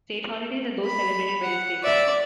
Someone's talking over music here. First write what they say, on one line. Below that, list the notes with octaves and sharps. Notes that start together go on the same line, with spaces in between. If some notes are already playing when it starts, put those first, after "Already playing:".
State holidays are those celebrated by the state.
B5
F#5
D5 E5